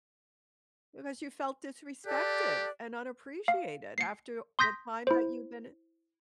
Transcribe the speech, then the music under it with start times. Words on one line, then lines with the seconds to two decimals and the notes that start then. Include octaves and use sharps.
Because you felt disrespected and unappreciated after the time that you've been
2.06 G4 A4 D5 F#6
3.48 F5
3.98 C7 C#7
4.59 C6 D#6 G6 A#6 B6
5.07 E4 C5